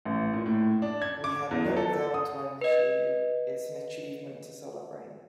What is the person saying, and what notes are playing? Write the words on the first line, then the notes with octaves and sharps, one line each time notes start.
We had no downtime this year. It's an achievement to celebrate.
A1
A#2
A2
D4
G#6
D6
E2
F#3
A4
D#6
B4 D#5